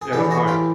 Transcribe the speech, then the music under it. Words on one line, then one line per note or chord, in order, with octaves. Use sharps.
Yeah, that's nice.
G#4
A2 E3 G4 A4
F#4 G#4
F4 G4